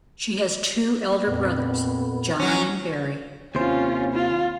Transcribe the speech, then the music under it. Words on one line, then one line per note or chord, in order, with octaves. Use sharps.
She has two elder brothers, John and Barry.
F2 A#2 B3
F#3 C#4
D#2 C3 C#4 F4 C5
F4